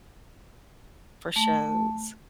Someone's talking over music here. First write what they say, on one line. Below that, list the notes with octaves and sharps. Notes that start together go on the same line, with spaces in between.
for shows.
A3 A5